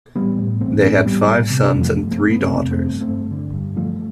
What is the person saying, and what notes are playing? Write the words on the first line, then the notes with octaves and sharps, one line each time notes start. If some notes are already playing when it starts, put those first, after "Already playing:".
They had five sons and three daughters.
A1 G3 B3
A2
A1 A3 C4
A2
A1 G3 B3
A2
C3
F2 G3
F3 A3
G1
A3 C4
G1
B3
C3 A3 C4
F2
A3 C4
G1
A3 C4
G1
D3
G2
G1 F3 A3